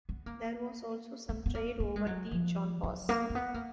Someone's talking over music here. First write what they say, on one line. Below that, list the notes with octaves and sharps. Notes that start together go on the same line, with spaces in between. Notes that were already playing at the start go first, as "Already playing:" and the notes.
There was also some trade over the Jaun Pass.
B3
A#3
B3
B3
A#3
A#3
G#3
F#3
F3
F#3
A#3
A#3
B3
A#3